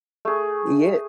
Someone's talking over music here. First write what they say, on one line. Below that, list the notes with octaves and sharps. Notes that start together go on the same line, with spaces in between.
He is.
A3 G#4